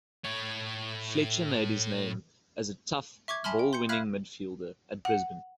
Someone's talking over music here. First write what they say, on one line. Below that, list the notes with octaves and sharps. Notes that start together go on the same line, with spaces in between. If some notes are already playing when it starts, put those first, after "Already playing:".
Fletcher made his name as a tough, ball-winning midfielder at Brisbane.
A2 C#5
E5 C#6 D6 G#6
E5 G#5 A5 B5 C6 F6
G5
C6 G6 C#7
E5 F5 B5 F6 F#6 G#6
F#5